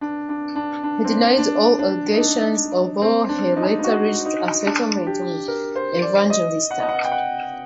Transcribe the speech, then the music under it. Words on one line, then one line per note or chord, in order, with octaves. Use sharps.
He denied all allegations, although he later reached a settlement with Evangelista.
D4
D4
D4
D4
C4
D4
D4
D4
D#4
D4
C4
D4
D#4
D#4
F#4
D#4
D4
G4
A#4
C5
D5
D#5
F#5
D#5
F#5
G5
F#5